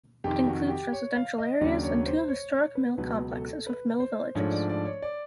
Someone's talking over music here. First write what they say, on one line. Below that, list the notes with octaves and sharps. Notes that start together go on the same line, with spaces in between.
It includes residential areas and two historic mill complexes with mill villages.
F2 C3 D#3 G4
F#4
G4
C#5
F5
D#5
D#2 C#3 F#3 A#3 D4 D5
C#5
C5
C#5
C#5
B4
C#2 B2 F#3 B4
A4
B4
C5
G#2 F3 A3 D4 C#5
D5
D5
C#5
D5